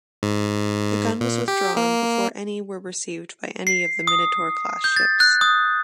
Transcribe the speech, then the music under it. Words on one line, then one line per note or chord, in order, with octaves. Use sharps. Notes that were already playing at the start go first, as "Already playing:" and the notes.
The gun was withdrawn before any were received by any of the "Minotaur"-class ships.
G#2
A#2
G4
A#3
C7
D#6
G6
A6
F#6
D#6